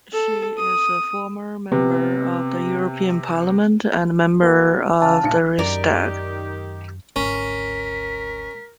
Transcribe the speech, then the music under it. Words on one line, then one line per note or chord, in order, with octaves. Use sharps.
She is a former Member of the European Parliament and Member of the Riksdag.
A4
D#6
C3 B3
A#3 F#4
C#3 F5 A5 F6
A#1 G2 C#7
F#2 D#3 G4 A#4 D5
G#1 D2 C#4 A#4 B6